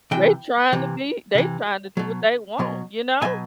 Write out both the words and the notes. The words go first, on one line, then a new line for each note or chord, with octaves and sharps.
They trying to be they trying to do what they want, you know,
C3 E3 G5
C3 E3
C3 E3
B2 F#3
B2 F#3
B2 F#3 G#5